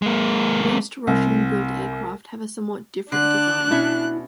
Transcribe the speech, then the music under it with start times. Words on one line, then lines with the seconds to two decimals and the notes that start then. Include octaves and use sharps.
Most Russian-built aircraft have a somewhat different design.
0.02 G#3 A#3
1.07 C2
3.12 D3 D4 F#6
3.71 B2 C#4 E4 E5